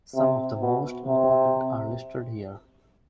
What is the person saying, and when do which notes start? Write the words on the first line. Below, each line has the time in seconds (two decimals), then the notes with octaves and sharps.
Some of the most important are listed here.
0.16 C3
0.61 B2
1.06 C3